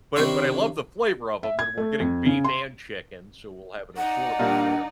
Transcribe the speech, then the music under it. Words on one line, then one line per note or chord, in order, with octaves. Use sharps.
But it but I love the flavor of 'em, and we're getting beef and chicken, so we'll have an assortment there.
C3 D#3 D4 E4 C#5 C6
E5
G#6
A3
F2
C#3
C6
D#4 D5 F#5
A#2 G3 A#3 D4